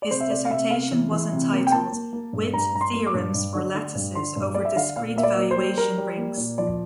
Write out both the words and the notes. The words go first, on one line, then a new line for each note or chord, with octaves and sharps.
His dissertation was entitled "Witt Theorems for Lattices over Discrete Valuation Rings".
D5
C3 C5
E5
C3 D5
F5
C3 E5
C3 F5
E3
E3
C3
A#3
G5
A#3 A5
A#3
A#3
G2
G2 A#5
G2 A#5
C6
A#3
D6
G2
G2
D3
D3
G2
D3 C6
G2
A3 D5
E5
D3 F5
A#2 F5
A#3 E5
D5
A#3
C5
G3
G3 A#4
G3
A#3
A#2
F3 D5